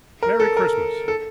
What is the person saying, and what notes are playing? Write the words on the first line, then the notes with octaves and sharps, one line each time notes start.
Merry Christmas!'
A#4
A4
A#4
A4